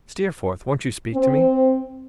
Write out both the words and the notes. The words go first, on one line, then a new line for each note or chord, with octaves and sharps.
'Steerforth! won't you speak to me?'
C4